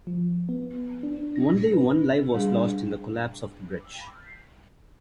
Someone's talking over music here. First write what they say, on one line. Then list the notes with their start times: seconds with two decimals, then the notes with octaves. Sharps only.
Only one life was lost in the collapse of the bridge.
0.07 F3
0.49 B3
1.03 D4
1.36 A#6
1.54 A#2
1.73 B4
2.34 G3 D4 G#4